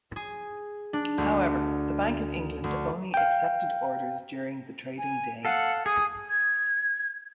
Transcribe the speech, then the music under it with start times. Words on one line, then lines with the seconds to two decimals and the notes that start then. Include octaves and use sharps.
However, the Bank of England only accepted orders during the trading day.
0.16 G#4
0.93 D4
1.18 D2
2.64 D2
3.14 F5 G5
4.98 G#5
5.45 A4 F5 F#5
5.86 G#4 D#6
6.30 G#6